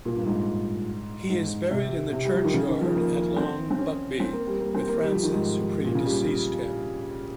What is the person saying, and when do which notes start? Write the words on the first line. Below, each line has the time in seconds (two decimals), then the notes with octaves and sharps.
He is buried in the churchyard at Long Buckby, with Frances, who pre-deceased him.
0.05 A#2
0.16 G2
0.26 G#2
1.29 G#2
1.71 C3
2.13 C3
2.25 G3
2.34 F3
2.44 D#3
2.54 C#3
2.68 D#3
2.81 F3
2.95 A#3
3.36 C4
3.71 C4
3.79 C#4
4.20 C4
4.33 A#3
4.47 G3
4.61 A#3
4.75 C4
4.89 A#3
5.02 G3
5.12 F3
5.23 D#3
5.33 G#2
5.85 A#2
5.95 C#3
6.05 G3